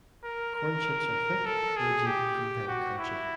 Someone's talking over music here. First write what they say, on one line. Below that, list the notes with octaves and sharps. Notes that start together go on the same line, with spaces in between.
Corn chips are thick, rigid and very crunchy.
A#4
A#4
A4
G#4
G4
F#4
E4